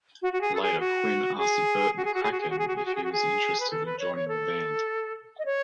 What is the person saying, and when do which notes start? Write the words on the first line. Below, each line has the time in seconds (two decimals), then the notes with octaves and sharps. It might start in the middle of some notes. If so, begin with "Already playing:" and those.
Later Quinn asked Bert McCracken if he was interested in joining the band.
0.22 F#4
0.33 F#4
0.41 G#4
0.55 A4
0.62 G#4
0.80 F#4
1.38 G#4
1.97 F#4
2.05 G#4
2.14 F#4
2.23 G#4
2.32 F#4
2.41 G#4
2.50 F#4
2.59 G#4
2.68 F#4
2.76 G#4
2.85 F#4
2.95 G#4
3.04 F#4
3.12 G#4
3.60 B4
3.70 A4
3.86 B4
3.99 C#5
4.15 C#5
4.28 A4
5.39 D#5
5.45 C#5